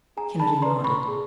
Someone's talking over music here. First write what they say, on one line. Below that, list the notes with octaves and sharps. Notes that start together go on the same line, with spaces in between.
Kennedy nodded.
G#4 G#5 A#5
A5 B5
B4 D5 A#5 C6
B5 C#6
G#4